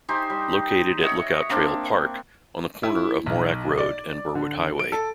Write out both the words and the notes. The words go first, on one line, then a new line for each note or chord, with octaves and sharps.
Located at Lookout Trail Park, on the corner of Morack Road and Burwood Highway.
D#4 G4 C5 G#5
G3
C#5 D#5 E5 F#5
A#3 C4 D4
E4
B1
D5
D3
D7
A4